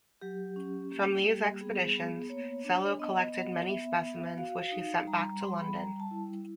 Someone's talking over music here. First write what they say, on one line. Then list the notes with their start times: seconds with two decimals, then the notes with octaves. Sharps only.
From these expeditions Sellow collected many specimens which he sent back to London.
0.21 F#3 G4
0.56 C#4
0.91 A#3 G4
1.26 G3
1.61 B3 G#4
1.95 B3
2.29 A#3 C#5
2.64 D4
2.99 B3 D#5
3.34 B3
3.68 B3 E5
4.03 B3
4.37 F#4 F5
4.72 D#4
5.07 G3 A#5
5.24 A#5
5.41 G3 C6
5.58 B5
5.76 G3 A#5
6.00 A5
6.11 E4